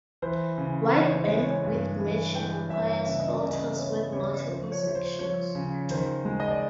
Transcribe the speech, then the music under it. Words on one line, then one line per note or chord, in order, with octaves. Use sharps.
Wide bandwidth matching requires filters with multiple sections.
E3 C5
C#3
E3 C#5
C5
C#5
G#3
C#5
G2
E3
E3 G5
G2 E5
C#3 E5
D#5
D5
C#3 D#5
B3 C#5
C#3 C#5
F3 C5
C#5
F3
C5
F3 C#5
C#3
D#3 C5
G#3
D#5
D5